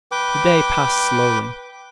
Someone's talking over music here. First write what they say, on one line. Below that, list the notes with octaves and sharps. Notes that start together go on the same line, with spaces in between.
The day passed slowly.
B4 G5 D6